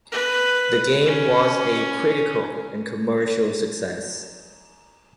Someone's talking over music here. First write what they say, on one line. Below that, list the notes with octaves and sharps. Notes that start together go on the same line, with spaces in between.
The game was a critical and commercial success.
B4
C#4